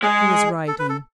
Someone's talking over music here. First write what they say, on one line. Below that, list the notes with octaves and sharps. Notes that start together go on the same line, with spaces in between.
She was writing.
G#3 G#4
A4
B4
A4